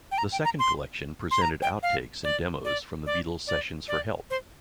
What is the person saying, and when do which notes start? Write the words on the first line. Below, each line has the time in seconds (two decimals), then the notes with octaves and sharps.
The second collection presented out-takes and demos from the Beatles' sessions for Help!
0.12 G5
0.18 A#5
0.32 G5
0.45 A#5
0.59 C6
1.31 C6
1.42 A#5
1.62 G5
1.83 F5
2.24 D5
2.65 D5
3.06 D5
3.47 D5
3.88 D5
4.30 C5